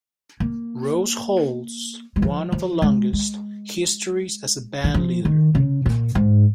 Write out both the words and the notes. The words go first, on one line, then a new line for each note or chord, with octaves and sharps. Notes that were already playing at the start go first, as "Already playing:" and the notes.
Rose holds one of the longest histories as a band leader.
A#3
G#3
F3
F3
G#3
G#3
D#3
F3
D#3
C#3
A#2
G#2